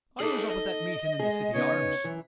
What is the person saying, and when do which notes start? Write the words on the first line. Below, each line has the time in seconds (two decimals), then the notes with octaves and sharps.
I was up at that meeting in the City Arms.
0.20 D#4 G#4 A4 B4
0.50 D#5
1.19 G#3 G#4
1.54 C#3 B3 D#4 C#5
2.04 F#2 E3